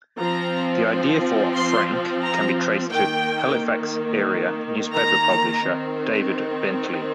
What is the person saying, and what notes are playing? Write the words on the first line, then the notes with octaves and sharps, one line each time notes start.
The idea for "Frank" can be traced to Halifax-area newspaper publisher David Bentley.
F3 C4 A#5
C6
A#5
D#3 A#3 G5
A#5
D#3 C4